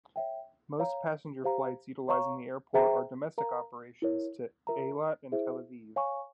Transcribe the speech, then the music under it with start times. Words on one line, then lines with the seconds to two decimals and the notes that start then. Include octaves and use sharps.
Most passenger flights utilizing the airport are domestic operations to Eilat and Tel Aviv.
0.16 C#5 E5 G5
0.79 C#5 F5 A#5
1.44 G4 C5 F5 A#5
2.09 C#5 F5 A#5 C#6
2.74 G#4 C5 E5 G5 A#5
3.38 A#4 F5 A#5
4.02 E4 A#4 C#5
4.67 F4 A#4 E5 A#5
5.32 E4 G#4 C5 E5
5.96 C#5 F5 G#5 C#6